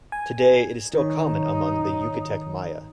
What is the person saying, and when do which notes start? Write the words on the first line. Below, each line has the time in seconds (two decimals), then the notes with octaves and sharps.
Today, it is still common among the Yucatec Maya.
0.12 G#5
0.94 D#3 D#4 C#5